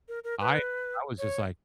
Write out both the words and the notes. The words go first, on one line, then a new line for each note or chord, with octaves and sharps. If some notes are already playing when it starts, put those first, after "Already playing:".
I I was just like,
A#4
A#4
B4
C#5